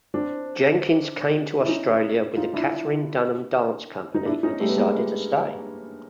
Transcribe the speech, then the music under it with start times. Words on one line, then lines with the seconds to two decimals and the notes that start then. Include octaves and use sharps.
Jenkins came to Australia with the Katherine Dunham Dance Company and decided to stay.
0.14 C4 D4
1.60 E4
1.68 C#4 D#4
2.36 D#4 F4
2.53 D4 E4
4.15 D#4
4.26 D4 E4
4.43 C#4 D#4
4.60 G3 A3
4.69 B3
4.77 G#3 A#3